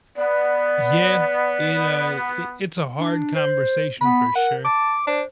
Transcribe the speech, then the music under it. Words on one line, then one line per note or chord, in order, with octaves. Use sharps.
Yeah. It, uh, i it's a hard conversation for sure.
B3 D5
D4
C5
B3 B5
A#4 F#5
A5 D6
D4 C5